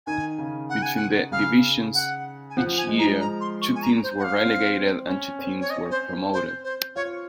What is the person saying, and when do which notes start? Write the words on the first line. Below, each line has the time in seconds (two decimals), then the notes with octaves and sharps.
Between the divisions each year two teams were relegated and two teams were promoted.
0.07 D#3 G#5
0.38 C#3
0.69 F#5
0.82 G#5
0.96 F#5
1.32 C#3 F5
1.94 F#5
2.50 G#5
2.57 F3 F#5
2.78 G#5
2.88 G#3
2.99 A#5
3.20 A#5
3.41 C6
3.62 C#6
3.75 G#5
3.83 A#5
4.03 C5
4.19 F#5
4.24 F5
4.45 C4
5.07 C#4
5.39 C4
5.61 C#5
5.70 D#5
5.91 C5
6.33 C5
6.64 C5
6.96 F4 C#5